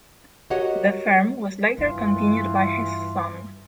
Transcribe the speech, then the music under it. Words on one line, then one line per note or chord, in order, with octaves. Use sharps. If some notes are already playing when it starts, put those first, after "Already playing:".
The firm was later continued by his son.
F#4 G4 A#4 C#5 D#5 F#5
G2 E3 F4